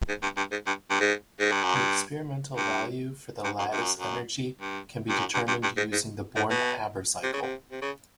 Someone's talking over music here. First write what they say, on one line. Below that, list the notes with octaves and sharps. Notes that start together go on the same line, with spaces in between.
The experimental value for the lattice energy can be determined using the Born-Haber cycle.
G#2
G2
G2
G#2
G2
G2
G#2
G#2
G2
F#2
G2
G2
G2
F#2
G2
F#2
F#2
G2
G2
F#2
G2
G2
G2
G#2
G#2
A2
B2
C3
C#3
C3
C3
C#3